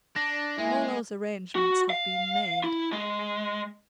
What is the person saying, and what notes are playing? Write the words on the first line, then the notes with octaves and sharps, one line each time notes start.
'All those arrangements have been made.'
D4 A#6
G#3 A#3 E4 G#5
F#4
F5
E4
G#3